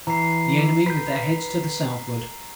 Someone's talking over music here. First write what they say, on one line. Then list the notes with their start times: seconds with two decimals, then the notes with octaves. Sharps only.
The Enemy with their heads to the southward.
0.07 E3 A#5 C7
0.86 B4 G6